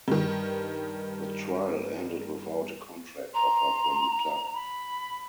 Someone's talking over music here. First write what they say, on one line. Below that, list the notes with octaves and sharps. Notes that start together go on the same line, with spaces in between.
The trial ended without a contract offer from the club.
G2 D#3
A#5 C6
B5